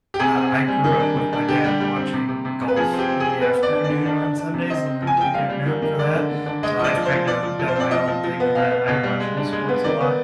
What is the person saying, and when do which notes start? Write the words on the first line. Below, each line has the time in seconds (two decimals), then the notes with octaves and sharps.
uh, I grew up with my dad watching golf in the afternoon on Sundays and then taking a nap for that. So, I've kind of done my own thing of that. I watch eSports a lot.
0.14 G4
0.19 C3 G#4
0.35 C4
0.52 C3
0.68 G3
0.84 D#3
1.00 D4
1.16 D#3
1.33 D4
1.49 D3 G4
1.64 G3
1.81 G3
1.96 C4
2.13 C3
2.29 C3
2.45 C3
2.61 C3
2.68 B4
2.76 F3 G#4
2.93 C4
2.99 G4
3.09 C4
3.20 C4 G#4
3.41 B3 B4
3.57 B3
3.63 D5
3.73 D4
3.84 D5
3.90 D3
4.06 D4
4.22 D4
4.38 D4
4.54 C3
4.70 C4 D#5
4.86 C4
5.02 F3
5.07 G#5
5.18 F3 G5
5.34 G3 F5
5.50 G3
5.66 D#3
5.82 D#3
5.98 G#3 D5
6.15 D3
6.31 D3
6.46 D4
6.63 G#3 D#5
6.79 F3 D#5
6.84 D5
6.95 F3
7.05 C5
7.11 F3
7.27 F3 D5
7.43 F3
7.59 F3
7.68 C5
7.76 C4 D5
7.91 F3 D#5
8.08 F3
8.24 F3
8.40 B3
8.55 B2 F5
8.71 B3
8.88 B2
9.03 G3
9.20 G#3
9.37 D4
9.52 G#3
9.68 B3
9.84 D#3 D5
10.01 B3